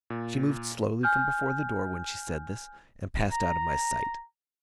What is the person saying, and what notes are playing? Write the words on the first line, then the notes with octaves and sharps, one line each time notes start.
She moved slowly from before the door when she said this, and passed out of my sight.
A#2
G#5 F6 G6
A#5